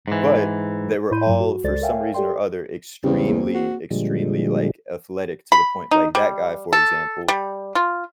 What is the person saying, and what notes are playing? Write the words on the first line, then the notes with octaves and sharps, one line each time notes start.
But they were all, for some reason or other, extremely, extremely, like, athletic to the point like that guy, for example,
G#2 E3
A2 E4 B5 C6 G6 D#7
G2 F#3
F#4
C#2 G#3 A4 C5 D5 A6
A#4 C#5 E5 F5 G5 G#5
G4 A4 D5 G5 C6
E2 C#3 G3 C4
A#3 C4 G#4
F#4
A#2 D3 F3 G3 G#3
B5
D#4
G3
A4
G3
F4